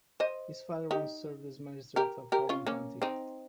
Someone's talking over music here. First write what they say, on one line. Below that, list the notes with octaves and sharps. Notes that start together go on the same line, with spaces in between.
His father once served as magistrate of Hedong County.
C5 D#5
D#4 G4
G4 A#4
G4 A#4
C#4 F4
A#3 C#4
C4 D#4